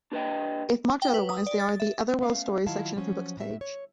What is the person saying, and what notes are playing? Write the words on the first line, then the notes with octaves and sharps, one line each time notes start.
If marked otherwise, they are in the "Otherworld Stories" section of her "Books" page.
D4 G4 B4 C5 D#5 G5
G5
B4
D#6
D5
A6
E5
A3 B3 C#4 F5
D#3 F#3 E4 F4 F5 A5
F3 F#3 C#4
A2 E5
C#5